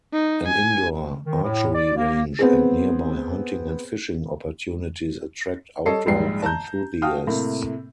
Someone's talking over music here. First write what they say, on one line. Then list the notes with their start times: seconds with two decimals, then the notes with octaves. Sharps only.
An indoor archery range and nearby hunting and fishing opportunities attract outdoor enthusiasts.
0.13 D#4
0.48 G#5
1.25 D#3
1.43 A2
1.75 D5
1.96 A#3
2.39 B3 C4 G#4
5.85 G3 A4 C#5 D#5 C7
6.06 A#1 G#2 G3 G5 C7
6.42 A5 A#5 G6
7.02 F#4 F5 G5 A5 D#6 F6
7.27 A2 C3 A#3